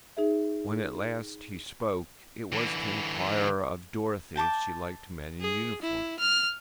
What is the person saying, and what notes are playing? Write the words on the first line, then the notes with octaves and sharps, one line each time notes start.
When at last he spoke, it was to enquire of Dorothy if she liked men in uniform.
D#4 G#4 E5
D3 E3
G5 A5 D6
G#4
E4
F6